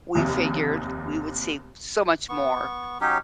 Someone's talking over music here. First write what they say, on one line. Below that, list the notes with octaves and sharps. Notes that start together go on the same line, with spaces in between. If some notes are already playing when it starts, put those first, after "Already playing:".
we figured we would see so much more
F1 D#2
B3 C#6
F#3 C#4 D#4 G4